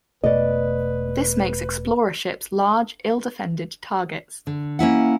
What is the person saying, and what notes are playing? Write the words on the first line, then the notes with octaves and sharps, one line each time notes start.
This makes Explorer ships large, ill-defended targets.
E1 B2 A3 B4 D5 D#5
D3
A#3 C#4 E4 F#5